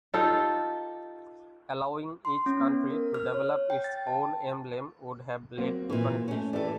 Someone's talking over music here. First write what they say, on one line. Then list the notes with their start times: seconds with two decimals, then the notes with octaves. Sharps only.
Allowing each country to develop its own emblem would have led to confusion.
0.14 D#4 F4 G4 A4
2.25 C6
2.46 C#4
2.60 B3
2.90 A#4
3.14 F6
3.34 C#5
3.70 G5
3.84 A6
4.07 A5
5.57 F#3 A#3 C4
5.90 A#2 E3
6.28 A3 C#4
6.53 E3 A3 G4 A4 D5